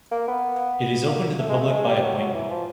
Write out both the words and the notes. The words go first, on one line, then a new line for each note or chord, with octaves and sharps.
It is open to the public by appointment.
A#3
B3
A#3
A3
G#3
A3
G#3
G3
F#3
F#3
E3
F3